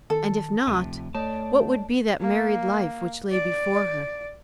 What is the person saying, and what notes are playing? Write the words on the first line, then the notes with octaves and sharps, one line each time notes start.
And if not, what would be that married life which lay before her?
D#3 A4
D2 C3 F3
A3 C#5 D5 A5
A#3
D5